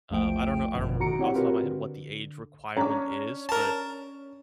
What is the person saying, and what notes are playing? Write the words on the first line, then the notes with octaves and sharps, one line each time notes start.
um, I don't know, I don't remember off the top of my head what the age requirement is, but
A#1 E2 F3 A3 G5 D7
G#1 F#2 B2 D3 F3
D#3 F#4 A#5 C#7 D7
C4 E4 G4 C#5 F#5
C4 F4 F#4 A#4 B4
D3
C#4 D4 A#5
A#4 A5